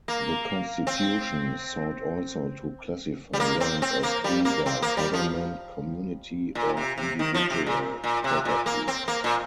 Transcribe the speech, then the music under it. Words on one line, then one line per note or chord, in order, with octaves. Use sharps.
The constitution sought also to classify land as either "government, community, or individual" property.
A#3
C4
G3
A#3
C4
C4
A#3
G3
A#3
C4
A#3
G3
F3
A#2
C3
C3
D#3
F3
C3
A#2
A#2
C3
A#2
A#3
C4
A#3
A#2